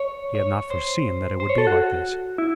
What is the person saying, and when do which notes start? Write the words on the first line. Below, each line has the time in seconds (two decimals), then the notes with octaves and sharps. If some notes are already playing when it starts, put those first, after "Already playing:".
He had not foreseen that it would be like this.
Already playing: C#5
0.35 C#5
0.70 C5
1.40 C5
1.49 C#5
1.58 A4
1.67 F#4
2.38 E4